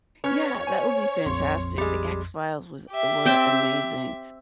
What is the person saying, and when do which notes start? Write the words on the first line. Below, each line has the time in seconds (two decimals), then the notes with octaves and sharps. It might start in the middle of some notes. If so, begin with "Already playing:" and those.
Yeah, that would be fantastic. The X-Files was were amazing,
0.24 C#4 B4 C#5 F6
0.67 C5 G#5
1.26 A#1 F2 C6
1.78 G3 G#3
2.90 G4 E5
3.25 C4 G5 A5